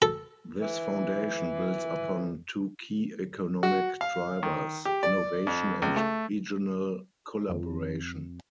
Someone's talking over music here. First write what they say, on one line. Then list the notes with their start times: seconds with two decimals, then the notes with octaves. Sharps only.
This foundation builds upon two key economic drivers - innovation and regional collaboration.
0.02 A4
0.61 E3
3.63 F#4
4.01 F5
4.43 D#3
4.85 G4
5.03 D5
5.47 F2
5.82 C#2
5.96 A3
7.49 F2